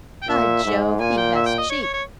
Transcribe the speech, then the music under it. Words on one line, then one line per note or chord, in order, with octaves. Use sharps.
By Jove, he has cheek!
G5
A#2 E5
G#2
A#2 G#5
G5
E5
G5
D#5
C#5
C#5
C#5